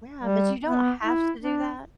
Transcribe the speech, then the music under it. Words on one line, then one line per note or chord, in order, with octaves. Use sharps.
Yeah, but you don't have to do that.
G3
B3
E4
D4